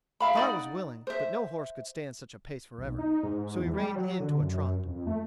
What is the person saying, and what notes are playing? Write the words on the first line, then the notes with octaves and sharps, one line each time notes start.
Star was willing, but no horse could stand such a pace forever, so he reined in to a trot.
E5 F5 B5
D#4 D5 F#5
C5 E5
B1
D#4
G#2
E2
G3
F#3
D3
F#2
F2
A3